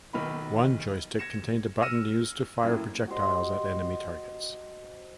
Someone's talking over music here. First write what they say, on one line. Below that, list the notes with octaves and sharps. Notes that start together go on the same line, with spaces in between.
One joystick contained a button used to fire projectiles at enemy targets.
B1 D#3 B5
G#6 A#6 C#7 E7
E6 F6 A#6 C#7 D#7 E7
F#2 A2 A#3
F#4 G4 C5 D#5